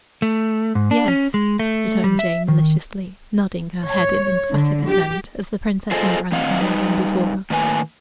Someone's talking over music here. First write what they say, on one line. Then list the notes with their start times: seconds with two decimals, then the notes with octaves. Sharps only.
"Yes," returned Jane maliciously, nodding her head in emphatic assent, as the princess and Brandon rode on before us.
0.22 A3
0.75 G#2
0.91 D4
1.08 C#4
1.34 G#3
1.59 A3
2.04 G3
2.19 E5
2.48 D#3
3.85 C#5
4.51 D3
4.89 G4
5.91 F4 G#4 A4 C5 D#5 F5
6.32 A2 D#3 C4 D#5 F5 F#5
6.61 G3 D#4 B4
7.50 A2 D#3 A#3 B4 D5 G#5